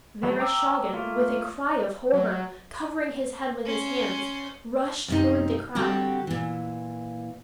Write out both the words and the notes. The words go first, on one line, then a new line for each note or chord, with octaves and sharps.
Vereshchagin with a cry of horror, covering his head with his hands, rushed toward the crowd.
F#3 G3 A3 B3
G5 A#5 D6 E6
A3 A#3 F4
F#3
C#4 C6
F#2 C3 D#4
D3 G3 C4 F#4 G4
A#2 E3